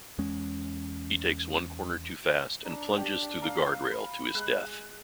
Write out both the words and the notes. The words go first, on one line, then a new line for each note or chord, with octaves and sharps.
He takes one corner too fast and plunges through the guardrail to his death.
E2 G#3 C#4
D4 A#5
G4
F5 A#5
B5
G#3 G#4 F#6